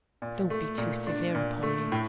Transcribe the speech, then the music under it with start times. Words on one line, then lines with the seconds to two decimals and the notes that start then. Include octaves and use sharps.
Don't be too severe upon me.
0.22 A#2
0.50 A3
0.78 A#2
1.07 D4
1.35 A#2
1.63 A3
1.92 A2